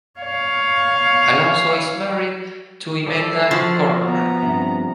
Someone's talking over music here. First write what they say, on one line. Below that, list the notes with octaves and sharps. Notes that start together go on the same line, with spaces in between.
Alonso is married to Imelda Corcoran.
C#5 F5
F3 G3 A4 C7
F3 F#4
B3 A#5
G2 C3